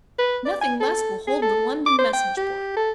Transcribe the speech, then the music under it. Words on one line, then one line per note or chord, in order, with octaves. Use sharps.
Nothing less will hold the London message-boy.
B4
D5
G#5
A4
G#4
A4
D6
C5
G5
G4
A4